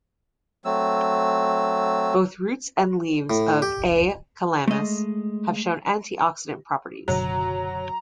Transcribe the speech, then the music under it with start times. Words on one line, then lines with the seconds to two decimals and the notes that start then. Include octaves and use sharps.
Both roots and leaves of "A. calamus" have shown antioxidant properties.
0.65 F#3 A3 C4 E6
3.30 A2
3.62 G4
4.68 G#3 A3 D#5
7.08 F#1 B2 D3 F#3 A#5